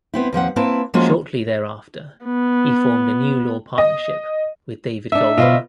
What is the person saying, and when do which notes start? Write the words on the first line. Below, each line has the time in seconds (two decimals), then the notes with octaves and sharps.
Shortly thereafter, he formed a new law partnership with David Golden.
0.14 B3 C4 E4
0.33 D#2 F3 C4 F#5
0.56 A#3 C4 E4 B4 A5
0.94 F3 G#3 A#3 C#4 F4 F#4
2.25 B3
3.78 D#5
5.12 D4 D#4 E5
5.38 B2 F4 B4 C5 D#5